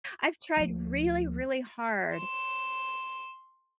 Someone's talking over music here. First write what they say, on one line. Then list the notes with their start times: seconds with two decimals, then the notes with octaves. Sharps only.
I've tried really, really hard
0.57 D2 F3
2.16 C6 E7